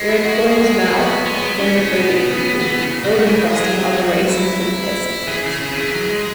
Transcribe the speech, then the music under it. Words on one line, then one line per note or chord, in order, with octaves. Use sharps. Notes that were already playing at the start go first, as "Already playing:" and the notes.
They're a closed-mouthed, xenophobic people, seldom trusting other races with their secrets.
Already playing: G#3
E4
F#4
F#4
G#4
G#3 F#4
G#4
F#4
B3 G#4
F#4
G#3 B3
F#3
E3 C#4
C#3
B2 B3
C#3
E3
E3 B3
C#3
C#3 F#4
B2
C#3
E3 G#4
B4
G#4
G#3
F#3
F#4
E4
E4
E3 G#4
C#3
C#3
C#3
E3
F#3
G#3